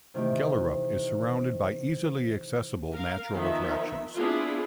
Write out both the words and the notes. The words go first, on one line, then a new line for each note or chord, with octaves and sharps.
Gellerup is surrounded by easily accessible natural attractions.
C3 D#3 E3 A3 G4
A#4 F5
D#3 F3 B3 E5
B3 C4 D4 E4 F4 G#4